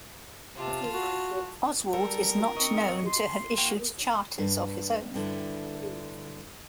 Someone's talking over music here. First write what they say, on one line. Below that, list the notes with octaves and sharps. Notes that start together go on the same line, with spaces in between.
Oswald is not known to have issued charters of his own.
C3 F4 A5
F#4
G3 A4 A#4
C4 D#5 C#6
C6
A#3 F#4 G5
G2
G2 D3 E4